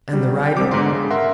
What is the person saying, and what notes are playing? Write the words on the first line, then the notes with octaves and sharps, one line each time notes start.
"And the writing?"
F#3 G3
G5
C2 C4 D6
G#2 D3 B3 D#4 C6 D6
C#3
A#4 E5 F#5 C6